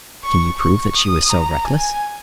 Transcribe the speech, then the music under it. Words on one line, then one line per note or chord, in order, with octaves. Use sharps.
"Can you prove that she was so reckless?"
C#6
C#6
D#6
A#5
G#5